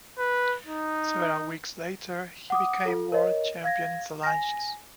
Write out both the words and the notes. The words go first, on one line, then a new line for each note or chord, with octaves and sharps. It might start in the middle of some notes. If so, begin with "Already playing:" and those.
Several weeks later he became world champion in Salanches.
B4
D#4
F#5 D6 D#6
F4 A4
A#4 C#5 D#5
F5 G#6 A#6
G#5 A#6